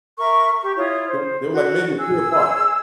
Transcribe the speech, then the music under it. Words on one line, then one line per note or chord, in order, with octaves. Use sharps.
They were they were, like, maybe a year apart.
A#4 E5 C#6
G4 C#6
E4 F4 C#5 D#6
C5
F#4
G#4 E6